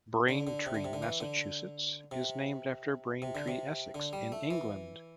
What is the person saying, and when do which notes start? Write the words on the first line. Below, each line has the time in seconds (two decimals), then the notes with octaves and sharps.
Braintree, Massachusetts is named after Braintree, Essex in England.
0.29 D3
0.47 D3
0.66 C3
0.74 D3
0.85 C3
0.93 D3
1.02 E3
1.20 D3
2.11 C3
3.22 C3
3.35 D3
3.48 C3
3.94 D3
4.13 G3
4.32 A3
4.51 E3